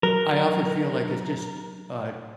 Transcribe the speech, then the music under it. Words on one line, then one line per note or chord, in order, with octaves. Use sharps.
I often feel like it's just, uh,
F#3 A#4